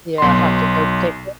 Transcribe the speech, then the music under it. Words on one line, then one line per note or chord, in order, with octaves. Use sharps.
Yeah, have to go pick it.
B1 C6